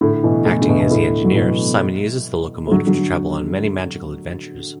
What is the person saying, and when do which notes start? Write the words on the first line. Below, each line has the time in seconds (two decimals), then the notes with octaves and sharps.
Acting as the engineer Simon uses the locomotive to travel on many magical adventures.
0.01 A2 D3
0.23 B2 E3
0.46 E3 A3
0.62 D3
0.69 B2
0.80 B2
0.91 A2 D3
1.24 F#3
1.36 B2 E3
2.67 A3
2.71 D3 F#3
2.87 D3 F#3